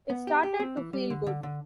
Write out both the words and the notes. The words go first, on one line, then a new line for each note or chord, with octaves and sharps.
It started to feel good.
B3
G4
G4
C4
E3
G3
D3
D3
D3